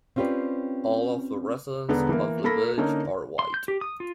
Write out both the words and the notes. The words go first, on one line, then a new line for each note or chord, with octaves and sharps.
All of the residents of the village are White.
C4 C#4 F4 G4 B4 D5
E1 D3 B3 D4 A#5
E3 A#3
A#3 A4 B5 A#6
D3 A#3 C#4 D#4
C6
G6
G4
D#6
F4